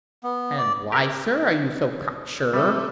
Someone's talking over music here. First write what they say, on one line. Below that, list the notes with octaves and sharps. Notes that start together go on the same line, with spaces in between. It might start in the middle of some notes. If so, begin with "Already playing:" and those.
"And why, sir, are you so cock sure?"
B3
D5
G4 A#4
C3 G3 A3